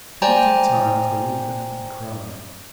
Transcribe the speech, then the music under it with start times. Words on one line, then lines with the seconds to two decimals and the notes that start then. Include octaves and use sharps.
Two or three times the little infant cried.
0.22 C5 D5 G5 G#5 A#5